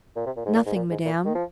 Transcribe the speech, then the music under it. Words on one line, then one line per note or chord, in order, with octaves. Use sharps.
"Nothing, Madame."
A#2
C3
A#2
G#2
A#2
G#2
A#2
G#2
A#2
D#3
F3